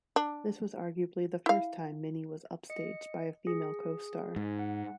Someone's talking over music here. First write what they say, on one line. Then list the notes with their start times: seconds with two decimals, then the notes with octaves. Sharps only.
This was arguably the first time Minnie was upstaged by a female co-star.
0.16 D4
1.46 E4 F5
2.70 D#5 C#7
3.47 G#4
4.36 G#2
4.59 F#5